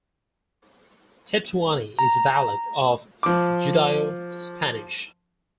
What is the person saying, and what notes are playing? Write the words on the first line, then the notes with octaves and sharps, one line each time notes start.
Tetuani is a dialect of Judaeo-Spanish.
A#5
F3 D6